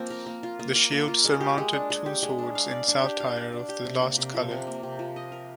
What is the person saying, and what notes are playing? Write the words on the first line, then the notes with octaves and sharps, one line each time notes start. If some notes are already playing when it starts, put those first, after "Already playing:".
The shield surmounted two swords in saltire of the last colour.
Already playing: F3 A#3 C4 F4
A#4
A#3
F4
A#3
A#4
A#3
F4
G#3
G4
G#3
D4
G#3
G4
G#3
D4
F5
D5
D4
G4
F5
D5
D4
G4
C3
A#3
C3
F3
C3
A#3
C3
F3
D#5
A#4